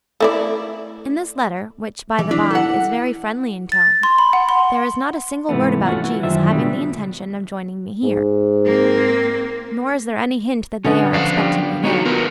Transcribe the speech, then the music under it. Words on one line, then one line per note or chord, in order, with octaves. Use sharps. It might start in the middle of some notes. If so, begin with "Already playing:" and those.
In this letter, which, by-the-bye, is very friendly in tone, there is not a single word about G.'s having the intention of joining me here, nor is there any hint that they are expecting me there.
A3 E4 D5
E3
D4 E4
A4 F#5
A6
C6
B5
F#5
C6
G#2 C3 E3 A3 B3
A3 A#3 C#4 F4 F#4
E3
F#2 D#3 G3 F4 C5 E5
C#2 B2 D3 G3
G#2
A#3 C4
D3 B3 C#4
F3 D5 F5
G3
B3 D#4 F#4 C#5
F4 A#4 B4